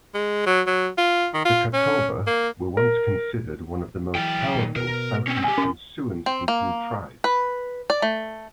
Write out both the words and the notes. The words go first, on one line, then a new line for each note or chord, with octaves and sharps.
The Catawba were once considered one of the most powerful Southeastern Siouan-speaking tribes.
G#3
F#3
F#3
F4
D#3
F4
C#4
A#3
A#4
E3 F#3 G5
A#2 D#3
B2 A#4
C4 C#4
B1 G4 G#5
C#4
C4
A#3
B4
D5
A3